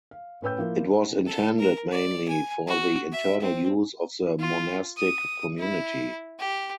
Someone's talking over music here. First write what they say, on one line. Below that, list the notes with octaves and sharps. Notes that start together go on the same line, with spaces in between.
It was intended mainly for the internal use of the monastic community.
F5
A2 C#4 B4 G5 E6 G6
F3 A#3 E4
A4
A#4
D5
G#5
F#4
E5
C4
F4
D#6
E4
G4